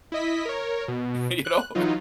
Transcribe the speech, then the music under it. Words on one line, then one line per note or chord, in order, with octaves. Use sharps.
you know?
E4 D#5 B6
A#4 C#5
B2
F#6
E3 F#3 D#4 F4